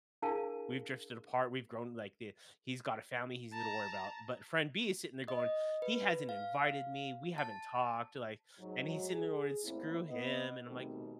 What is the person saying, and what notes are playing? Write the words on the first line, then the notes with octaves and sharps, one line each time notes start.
we've drifted apart, we've grown, like, the he's got a family he's gonna worry about." But, friend B is sitting there going, "He hasn't invited me, we haven't talked," like, and he's sitting there going, "Screw him." And I'm like
D4 E4 G#4 A#4 F5 A5
A5 A#5
D#5
B4
F5
A5
G#2 F#3
G#4
E2 A2 A#3 C4 E4
B3 D#5
B2 D#3 G3 A3 C4